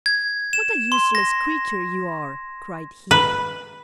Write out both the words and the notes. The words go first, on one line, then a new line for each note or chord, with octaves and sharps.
'What a useless creature you are!' cried he.
G#6
E7
C6
A#6
B4